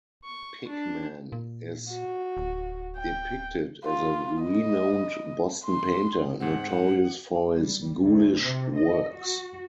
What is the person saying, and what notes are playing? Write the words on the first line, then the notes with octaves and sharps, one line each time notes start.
Pickman is depicted as a renowned Boston painter notorious for his ghoulish works.
C#6
D4
A#2
F#4
D1
G5
F4
D#5
C6
G#2 C4 F#5
G3
D2
C3
D#5
F#4